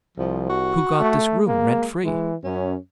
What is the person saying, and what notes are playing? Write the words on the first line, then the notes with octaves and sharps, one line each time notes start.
Who got this room rent free?
C2 F3
F#4
A3
G#3 A#3
E3 G#3
F#2 C#4